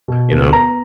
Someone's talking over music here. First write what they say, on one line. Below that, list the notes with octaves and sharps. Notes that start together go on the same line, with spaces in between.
you know,
B2
B3
B3 A#5